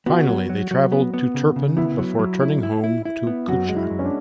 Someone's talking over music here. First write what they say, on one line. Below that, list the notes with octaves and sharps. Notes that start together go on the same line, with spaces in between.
Finally, they travelled to Turpan before returning home to Kucha.
B3 F#4
F#3
F#3
F#3
B3
B3
C#3
C#3
B3 E4
F#3
F#3
E4
E4
E4
E4
B3
F#2 F#4
G#3
E4
F#2
C#4
D4